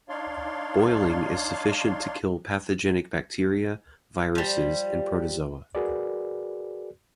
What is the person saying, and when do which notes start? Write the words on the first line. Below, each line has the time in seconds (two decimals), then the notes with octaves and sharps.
Boiling is sufficient to kill pathogenic bacteria, viruses and protozoa.
0.09 D4 D#4 C#5 D5 F5 C6
4.35 F3 G3
5.75 F#4 G#4 A#4 B4 D5